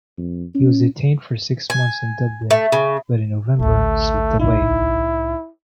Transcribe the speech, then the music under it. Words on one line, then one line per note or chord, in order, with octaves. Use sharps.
He was detained for six months in Dublin, but in November slipped away.
F2
C#4
G#5
A3
C#3
A1 D2 A3
C2 A2 D#4 E4